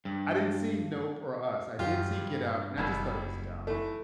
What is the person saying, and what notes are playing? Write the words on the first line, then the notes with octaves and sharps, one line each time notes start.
I didn't see Nope or Us. I did see Get Out, and I just thought it was dumb.
G2
F#2 F4 G4
G2
F#1 C2 B2 G3
E3 A3